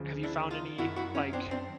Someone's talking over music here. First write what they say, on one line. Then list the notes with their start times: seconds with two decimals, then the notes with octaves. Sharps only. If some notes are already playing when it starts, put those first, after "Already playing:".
Have you found any like
Already playing: D2 C#3 F3
0.23 D4 E4
0.50 D#4 F4
0.78 F#2 D#3 E4 F#4
0.96 E4 F#4
1.15 C#4 D#4
1.33 C4 D4
1.51 C4 D4